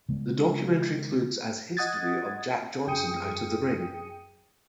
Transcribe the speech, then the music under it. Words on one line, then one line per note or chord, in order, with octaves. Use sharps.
The documentary includes as history of Jack Johnson out of the ring.
C#3 G#3 B3
D#5 F#5 D#6 G#6 A6
F#2 G#4 G5 D#6 C#7 D#7